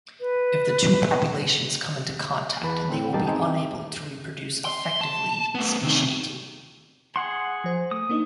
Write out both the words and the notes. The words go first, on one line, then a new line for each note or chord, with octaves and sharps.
If the two populations come into contact they will be unable to reproduce-effectively speciating.
B4
E2 B4 A5
A2 C4
B1 G2 A#3 D#4 G4 A5
C4 D#4 G#4 G5
C6
A5
A3 B3
C3 D#3
G#4 F#5 C6
F3 C5
A3 D#6
A#3 D4 D#4